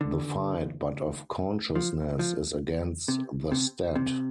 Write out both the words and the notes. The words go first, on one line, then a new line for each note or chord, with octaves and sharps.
The fight, but of consciousness, is against the Stat.
D3
F3
F3
C3
C3
C3